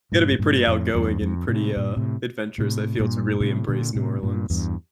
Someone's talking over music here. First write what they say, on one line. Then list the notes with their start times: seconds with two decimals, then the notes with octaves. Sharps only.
Gotta be pretty outgoing and pretty, uh, adventurous, I feel, to really embrace New Orleans.
0.12 G2 A#2
0.31 A2
0.39 G2 A#2
0.67 F2 A2
0.94 E2 G2
1.21 F2
1.48 A2 C3
1.76 G2 A#2
1.96 A2 C3
2.58 A2 C3
2.99 G2 A#2
3.40 A2 C3
3.68 A#2 D3
3.95 A2 C3
4.23 G2 A#2
4.50 E2 G2